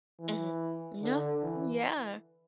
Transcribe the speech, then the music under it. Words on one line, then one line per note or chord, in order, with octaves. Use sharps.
Mhm. No. Yeah.
E3
D3
E3